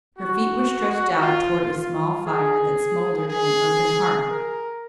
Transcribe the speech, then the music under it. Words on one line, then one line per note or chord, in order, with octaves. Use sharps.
Her feet were stretched out toward a small fire that smouldered in an open hearth.
F#4
F4
F4
G#4
G#4
A#4